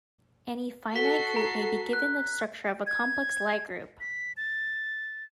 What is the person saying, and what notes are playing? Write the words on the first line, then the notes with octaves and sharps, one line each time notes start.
Any finite group may be given the structure of a complex Lie group.
F#4 A4 B6 C7 G7
A#5
F#6
G#6
B6
A6